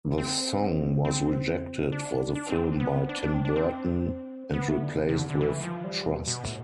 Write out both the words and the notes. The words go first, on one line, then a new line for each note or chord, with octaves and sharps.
The song was rejected for the film by Tim Burton and replaced with "Trust".
C4
C4
D4
D4
C4
B3
C4
D4
D4
C4
D4
C4
B3
A3
D3
C3
C3
D3
D3
E3
F3
G3
B2
B2
A2